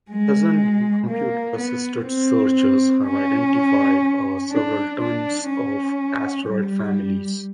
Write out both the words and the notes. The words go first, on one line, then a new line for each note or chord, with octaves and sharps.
Present day computer-assisted searches have identified several tens of asteroid families.
G#3
A#3
B3
C4
C#4
D4
D4
C#4
G3